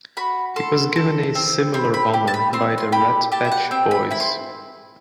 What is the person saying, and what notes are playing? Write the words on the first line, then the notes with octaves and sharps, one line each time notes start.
He was given a similar honour by the Red Patch Boys.
F#4 B5
A4 C6
A4
C4
C4 B5
B5
G4
A5
B5
C4 C6
C6
G4 B5
G4 A5
E5
F#5
C4 G5
B5
E4 B5
C6